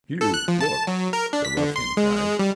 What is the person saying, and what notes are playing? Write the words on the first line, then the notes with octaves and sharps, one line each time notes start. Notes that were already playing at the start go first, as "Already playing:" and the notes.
"You, look!" the ruffian cried.
A4
F#6
F3
A5
F#3
A#4
D4
B6
D3
C6
G#3
G3